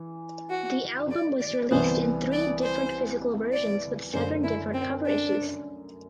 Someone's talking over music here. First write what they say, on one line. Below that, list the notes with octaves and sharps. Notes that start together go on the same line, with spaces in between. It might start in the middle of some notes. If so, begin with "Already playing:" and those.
The album was released in three different physical versions with seven different cover issues.
Already playing: E3
F#4
D5
D5
C2 C3 E3 B3 C5
D5
C5
D5
F#2 D3 A3 C5
E4
C4
D4